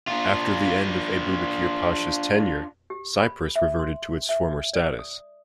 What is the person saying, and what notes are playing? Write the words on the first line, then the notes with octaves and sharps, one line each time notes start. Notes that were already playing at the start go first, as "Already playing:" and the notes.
After the end of Ebubekir Pasha's tenure, Cyprus reverted to its former status.
D4 F4
G4
B5
E5
C6
E5
D5
D#6